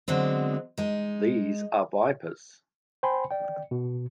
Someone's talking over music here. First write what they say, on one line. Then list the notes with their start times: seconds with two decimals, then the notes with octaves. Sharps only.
These are vipers.
0.08 D3 F#3 G#3 B3 C4
0.78 G#3 D#4
3.03 C5 G5 G#5 B5 C6
3.31 D5 G5
3.71 B2